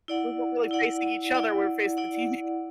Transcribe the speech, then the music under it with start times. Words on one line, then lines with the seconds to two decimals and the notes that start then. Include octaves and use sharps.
we weren't really facing each other, we were facing the TV.
0.08 E4 D5 F#5
0.71 E4 D5 F#5
1.34 E4 D5 F#5
1.97 E4 D5 F#5